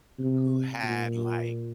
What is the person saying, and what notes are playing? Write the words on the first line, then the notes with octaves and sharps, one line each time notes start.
who had, like,
C3
A#2